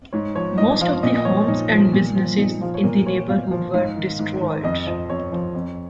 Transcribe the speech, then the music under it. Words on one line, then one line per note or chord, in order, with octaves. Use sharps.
Most of the homes and businesses in the neighborhood were destroyed.
G#2 C#5
F3 C#5
G#2 D#5
F3 F5
A#2 D#5
D#5
F3 C#5
C#5
A#2 D#4
F3
A#2
F3
A#2 D#4
F3 F4
C#5
A#2 A#4
F3 C#5
A#2 F5
F3
G#2 F5
D#3
G#2
D#3
F2 D#5
F3 D#5
F2 C#5
F3
F2